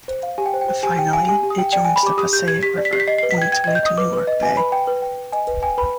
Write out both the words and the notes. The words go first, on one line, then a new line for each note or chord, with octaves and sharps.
Finally, it joins the Passaic River, on its way to Newark Bay.
C5
F5
G4 G#5
G5
C5
G5
C5
G4 G#5
G4 G5
F5 G#5
G4 G#5
G4
D#6
G5
D5 G5
G#5
G5
B5
G4 D6
G4 D#6
G4 G6
G4 G#6
G4 B6
D5
B6
G4 C7
B6
D#5 C7
C7
B4
B6
G5 G#6
G5 G#6
G#6
D#5
G6
D#5 D#6
B4 D6
B4
D#5
B4 G#5
B4 B5
G5
B4
G5
B4
D#5 G#5
B4
G5 G#5
B4 B5